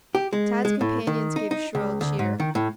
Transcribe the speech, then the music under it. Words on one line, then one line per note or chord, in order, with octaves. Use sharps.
Tad's companions gave a shrill cheer.
G4
G#3
G#3
A2
D#3
D#4
D#4
C#2
D2
G#2
D#3
A2